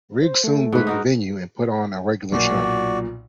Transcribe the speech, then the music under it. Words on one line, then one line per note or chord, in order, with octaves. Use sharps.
Riggs soon booked a venue and put on a regular show.
C5
A3
G#2 B4
D#4 F#4 A#4
B1 A#2 F#4 D5